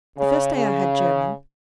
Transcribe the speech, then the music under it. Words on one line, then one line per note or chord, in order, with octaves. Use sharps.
The first day I had German.
C#3
C#3